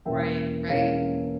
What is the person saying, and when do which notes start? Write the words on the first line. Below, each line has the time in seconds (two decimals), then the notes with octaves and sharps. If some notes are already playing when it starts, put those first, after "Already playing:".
Right, right.
0.05 E1 E2 E3 A#3 C#4 E5 G5
0.68 E1 E2 E3 A#3 C#4 C#5 F5